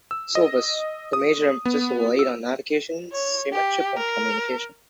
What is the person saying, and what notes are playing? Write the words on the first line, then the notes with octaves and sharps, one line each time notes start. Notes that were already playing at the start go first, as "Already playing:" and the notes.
Syllabus : The major emphasis is laid on Navigation, Seamanship and Communication.
E6
D#5
D#6
B3
E6
C#5
G4
A#4